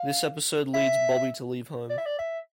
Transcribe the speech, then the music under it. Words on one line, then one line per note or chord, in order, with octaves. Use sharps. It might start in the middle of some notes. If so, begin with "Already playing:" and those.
This episode leads Bobby to leave home.
Already playing: F5
E5
D5
E5
D5
E5